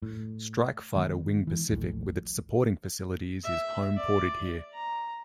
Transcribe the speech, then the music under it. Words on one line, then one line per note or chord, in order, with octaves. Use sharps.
Strike Fighter Wing Pacific with its supporting facilities is home ported here.
A2
D#3 G#3 A#3 B3
E3
D#1 A#1 A2
E5
D5
A#5